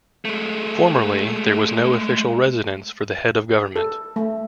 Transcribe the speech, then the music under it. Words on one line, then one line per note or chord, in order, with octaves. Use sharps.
Formerly there was no official residence for the head of government.
G#3 A3
A4
A3